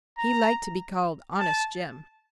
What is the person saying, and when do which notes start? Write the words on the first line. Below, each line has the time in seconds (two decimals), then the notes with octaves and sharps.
He liked to be called Honest Jim.
0.18 A#5
1.39 A5